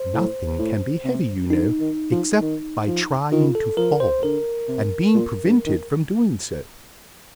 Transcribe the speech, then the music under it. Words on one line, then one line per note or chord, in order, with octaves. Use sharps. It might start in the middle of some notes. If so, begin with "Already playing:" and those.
Nothing can be heavy, you know, except by trying to fall, and being prevented from doing so.
Already playing: C5
A2
A2
C3
D3 D#4
D#3
F3
D#3
F3
D#3 F4
A4
F3 A#4
C5
D3 A#4
C3
A#2
G2
D#3